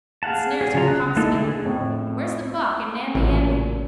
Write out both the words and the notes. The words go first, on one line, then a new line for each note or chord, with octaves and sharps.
And snares of the poxfiend. Where's the buck and Namby Amby?
G#4 F5 F#5 A5
G#4
C#3 F#3 D4 F4 A#5
F#6
A3 A#3 D#4 E4 A4
D3 G#4
F2 A2
A1 A#2 C#3 F#3